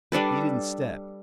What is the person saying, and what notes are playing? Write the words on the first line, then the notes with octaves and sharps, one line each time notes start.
He didn't step.
G3 D4 A4 B4